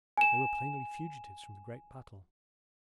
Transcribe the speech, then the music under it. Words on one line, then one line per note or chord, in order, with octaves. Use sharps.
They were plainly fugitives from the great battle.
G#5 E7